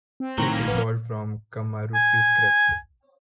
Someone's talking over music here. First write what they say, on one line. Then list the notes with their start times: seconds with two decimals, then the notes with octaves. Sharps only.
It evolved from Kamarupi script.
0.20 C4
0.38 B1 A2 D#3 F#3 C6 A#6
0.52 A#3 C#4
0.68 G1 F2 B3
1.95 G#5